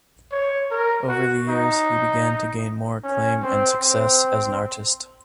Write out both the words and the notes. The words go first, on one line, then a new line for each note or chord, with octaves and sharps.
Over the years he began to gain more acclaim and success as an artist.
C#5
A#4
F#4
D#4
C#4
C4
C4